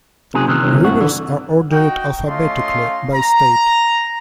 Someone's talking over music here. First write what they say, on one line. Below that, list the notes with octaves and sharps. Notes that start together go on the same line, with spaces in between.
Rivers are ordered alphabetically, by state.
F#1 C3 F#3 G#4
C3 D#3 E3
G1
C2 G2 F#4
D3 E3
D#4 F#4 G5
A3 C#4 F4 D#5 C6
A#5